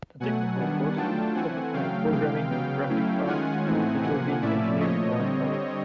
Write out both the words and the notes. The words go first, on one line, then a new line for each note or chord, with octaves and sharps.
The technical courses offered are programming, graphic arts, networking, engineering and electronics.
B2 F#3 A3 F#5 G#5
D#3 G3 B3 D4
F#3 A3 D4 F4 G5 A5
E3 A3 C4 F#5 G#5
C#3 F#3 A3 F5 G5
C3 E3 G#3 F5 G5
C#3 F#3 B3 F5 G5
F#3 A3 C#4 E4
D#3 G#3 C#4 F4 F#5 G#5
A2 E3 A3 C4 D#4
C3 F3 A#3 F#5 G#5
A2 F3 A3 C#4 E4 D5 E5
A#2 F3 A3 C#5 D#5
D3 G3 C4